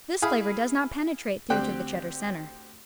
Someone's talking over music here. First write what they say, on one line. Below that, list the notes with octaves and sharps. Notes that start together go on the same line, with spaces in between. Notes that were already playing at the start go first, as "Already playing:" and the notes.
This flavor does not penetrate through to the Cheddar center.
E4 G#4 F5 G#5 B5 D#6
D2 C4 G4 D5 G5 F#6